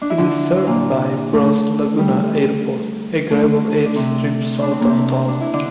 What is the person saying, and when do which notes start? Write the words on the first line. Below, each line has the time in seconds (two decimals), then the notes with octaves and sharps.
It is served by Brus Laguna Airport, a gravel airstrip south of town.
0.02 D4
0.10 E4
0.18 D3 D4
0.67 A#2 A#3
1.33 A3
1.99 G3
3.31 A3
3.86 D4
3.96 C3 C4
4.62 D4
4.71 C4
4.81 A#3
4.89 C3 C4
5.28 D4
5.41 E4
5.53 D3 D4